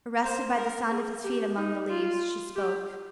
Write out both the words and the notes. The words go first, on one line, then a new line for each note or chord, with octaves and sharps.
Arrested by the sound of his feet among the leaves, she spoke.
C5
A#4
G#4
G4
D#4
F4
G4